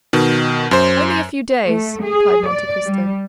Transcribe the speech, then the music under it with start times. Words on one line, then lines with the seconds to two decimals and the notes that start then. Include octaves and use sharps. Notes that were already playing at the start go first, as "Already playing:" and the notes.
"Only a few days," replied Monte Cristo.
0.13 B2 D#3
0.71 F#2 C5
1.68 A3
2.05 G#4
2.48 D5
2.85 G3